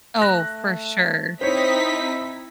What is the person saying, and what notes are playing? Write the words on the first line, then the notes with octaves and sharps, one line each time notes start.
Oh, for sure.
A3 F#6 A#6
C4 D#4 E4 C5 C#5 B6